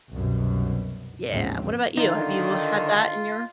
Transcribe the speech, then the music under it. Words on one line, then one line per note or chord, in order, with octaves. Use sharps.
Yeah, what about you? Have you had that in your
C2 F#2 B2
A1 D#2 G#2 C#3 F3 C4
D3 D#3 D#4 F4